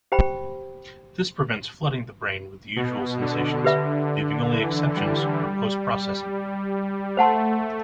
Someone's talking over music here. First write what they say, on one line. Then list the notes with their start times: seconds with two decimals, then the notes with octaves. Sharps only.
This prevents flooding the brain with the usual sensations, leaving only exceptions for post-processing.
0.12 G4 C5 G5 B5
2.76 B2
3.21 D3
3.64 G4 B4 E5 B5
4.52 E3
4.96 G3
7.17 A3 C5 F#5 A5 C6